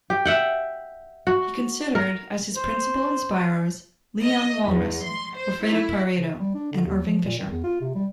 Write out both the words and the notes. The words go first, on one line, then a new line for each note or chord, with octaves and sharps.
He considered, as his principal inspirers, Leon Walras, Wilfredo Pareto and Irving Fisher.
G4
E5 F#5 G5
F#4
A#4
C5
D#5
E2
C6
C5
E4
C#3
G3
D4
D3
D#2
F3
A#2
D#3
E2
F4
C3
G3